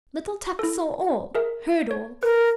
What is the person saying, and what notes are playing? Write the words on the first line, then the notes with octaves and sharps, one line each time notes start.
Little Tuk saw all, heard all.
E4 A4
G#4 A#4 E5
C#5
A#4 B4